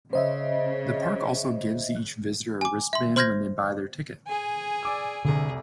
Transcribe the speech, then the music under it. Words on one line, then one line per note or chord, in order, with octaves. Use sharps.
The park also gives each visitor a wristband when they buy their ticket.
C#3 C5 D#5 E5
G#5 D6
E5 C6
C5 C6 F6 G6 G#6 A#6
G#4 G#5
D5 D6 E6
F1 C2 D3 G#4